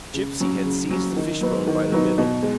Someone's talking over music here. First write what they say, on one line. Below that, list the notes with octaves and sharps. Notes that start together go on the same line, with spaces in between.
Gipsy had seized the fishbone by the middle.
C#3
F#3 C#4
C#3
F#3 C#4
D#3
F#3 B3 D#4
D#3
F#3 B3 D#4
B2
G#3